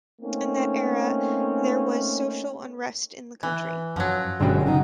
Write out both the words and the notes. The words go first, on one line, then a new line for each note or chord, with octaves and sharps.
In that era, there was social unrest in the country.
A3 A#3 C4 C#4 D#4
E3
F#2 F3 F#3
G1 F#2 B2 G#3 C#4 G5
C#3 F#3 D#4